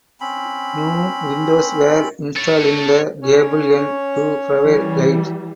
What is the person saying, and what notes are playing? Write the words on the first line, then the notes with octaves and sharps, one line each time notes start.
New windows were installed in the gable end to provide light.
C4 C#4 B5
A4 C#5
C#4 C#5
E3 G3